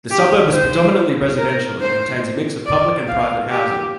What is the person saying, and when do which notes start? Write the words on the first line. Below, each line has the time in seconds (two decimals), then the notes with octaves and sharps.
The suburb is predominantly residential and contains a mix of public and private housing.
0.10 G4
0.52 C5
1.38 A#4
1.81 C5
2.66 D5
3.08 F5
3.50 G4